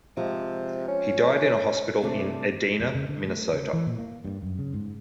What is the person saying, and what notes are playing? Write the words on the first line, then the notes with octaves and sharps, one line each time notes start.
He died in a hospital in Edina, Minnesota.
C3 F3 G#3
C#4
C3 A3 D4
F2
C#3
D3
A3
C#3
E3
A#2
A#3
G2
F#2
C#3
G#2